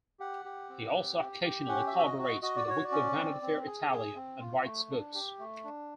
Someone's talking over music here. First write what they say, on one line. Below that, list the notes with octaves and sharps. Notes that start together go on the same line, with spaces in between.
He also occasionally collaborates with the weekly "Vanity Fair Italia", and writes books.
G4 F#5
G4
C4
G4
G4
G4
C#4 F#5
E5
F#4
E5
D#5
F#4
D#5
F#4 D#5
D5
F#4 C#5
D5
C#4
C4
C4
G#4
G#4
C4
F4
A3
D4
G4
A3
D4